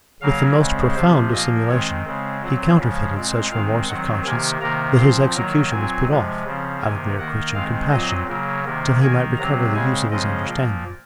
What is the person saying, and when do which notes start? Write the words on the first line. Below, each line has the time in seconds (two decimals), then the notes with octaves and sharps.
With the most profound dissimulation, he counterfeited such remorse of conscience, that his execution was put off, out of mere Christian compassion, till he might recover the use of his understanding.
0.21 C#3 F#3 A#3 F5
0.58 C#3 G#3 C4
0.95 C3 F3 C4 C5
1.31 A#2 F3 A#3 D#5
1.68 D#3 G#3 C4 C#5
2.05 C#3 G#3 C4
2.41 A#2 F#3 C4
2.78 C#3 F3 G#3
3.15 A#2 G#3 C4
3.51 D#3 G#3 C4 F5
3.88 D#3 F#3 C4 F#5
4.24 C3 D#3 A#3 G#5
4.61 C3 D#3 A#3 A#5
4.98 A#2 F3 C4 C6
5.34 D#3 F#3 A#3 A#5
5.71 A#2 F#3 C4 G#5
6.08 C3 F3 G#3
6.44 C#3 F3 C4
6.81 C3 D#3 A#3 G#5
7.17 D#3 A#3 F#5
7.54 D#3 G#3 C4 F5
7.91 A#2 F#3 C4 D#5
8.27 C#3 F#3 A#3
8.64 C3 D#3 A#3
9.01 D#3 A#3 G#5
9.37 C3 F#3 C4 A#5
9.74 C#3 G#3 C4 G#5
10.10 C#3 F3 G#3 C4 D#5
10.47 A#2 F3 A#3